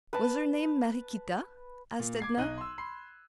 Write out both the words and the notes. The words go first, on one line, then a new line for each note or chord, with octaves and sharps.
"Was her name Mariequita?" asked Edna.
B4 A5
A#2
D6 G#6 C7
B1 D#4 F#6 D#7
C6 E6
B5 C6 C7